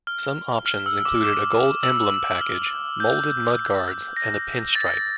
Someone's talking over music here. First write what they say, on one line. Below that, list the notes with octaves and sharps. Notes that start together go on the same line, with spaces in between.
Some options included a gold emblem package, molded mud guards, and a pin stripe.
F6
F6
E6
D6
D6
E6
F6
G6
A#6
A6